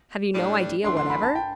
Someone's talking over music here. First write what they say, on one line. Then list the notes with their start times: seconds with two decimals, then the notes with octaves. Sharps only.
"Have you no idea whatever?"
0.33 A2 G3 D4
0.83 F#2 E3 A3 D4 C6
0.97 C6
1.10 B5
1.23 A5
1.35 G5